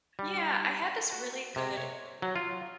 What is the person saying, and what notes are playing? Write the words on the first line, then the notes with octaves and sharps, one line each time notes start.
Yeah, I had this really good
G3
F#4
C3
C#5
F#3
F4